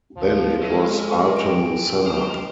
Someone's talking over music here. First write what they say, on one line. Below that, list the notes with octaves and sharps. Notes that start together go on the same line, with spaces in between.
Then it was Ayrton Senna.
D2 F3
G#3 C#5 E5 F5
F#4 G#4 A4
G5 C#6 D7
F3
C5 D#5 D6 F6